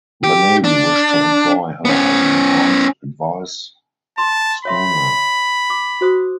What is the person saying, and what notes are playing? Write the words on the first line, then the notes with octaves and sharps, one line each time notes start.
The Navy wished to employ her as an armed advice schooner.
G4
D4
B3 C#4
A5 C6
C#5 E5 B5 C6
D6
F#4 C5 D#6